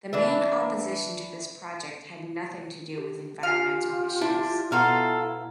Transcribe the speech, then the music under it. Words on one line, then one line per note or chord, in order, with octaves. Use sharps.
The main opposition to this project had nothing to do with environmental issues.
E3 D4 E5
G4
F4 G4 F5 G#5 F6
D4 E4
B2 E4 F4 A4 F5 F#5 A#5 F6